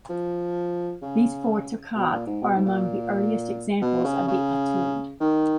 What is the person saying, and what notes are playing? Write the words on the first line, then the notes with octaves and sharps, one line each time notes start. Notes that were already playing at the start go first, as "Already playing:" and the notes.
These four "toccate" are among the earliest examples of the etude.
F3
C#3
B2
A#2
G#2
B2
G#2
A#2
B2
C#3
C#3
D#3